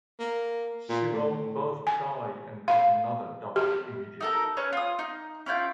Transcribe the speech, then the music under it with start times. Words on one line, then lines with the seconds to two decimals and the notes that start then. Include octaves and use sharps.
She rolled both die and got another double immediately.
0.19 A#3
0.89 A#2
1.13 A2
1.87 G#5
2.68 F5
3.56 G4
4.21 D#4 A4 A#4
4.57 C#4 B4 C#5
4.73 F4 D#6
4.99 D#4
5.46 C#4 E4 F4 G5